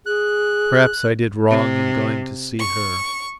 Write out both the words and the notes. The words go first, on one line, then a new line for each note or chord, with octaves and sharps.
Perhaps I did wrong in going to see her.
G#4 F#6
C3
C#6